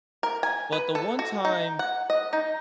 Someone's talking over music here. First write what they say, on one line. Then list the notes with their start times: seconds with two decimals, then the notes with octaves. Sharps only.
but the one time,
0.23 A#4
0.43 G#5
0.72 B4
0.95 A4
1.19 F#4
1.45 D#4
1.79 F#5
2.10 D#5
2.33 D#4